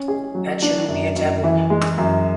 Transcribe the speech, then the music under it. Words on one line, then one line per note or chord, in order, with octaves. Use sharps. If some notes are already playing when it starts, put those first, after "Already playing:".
That shouldn't be a taboo.
Already playing: C#4
G#4
F#3
D4
F#2
F#2
E3
G#3
F#2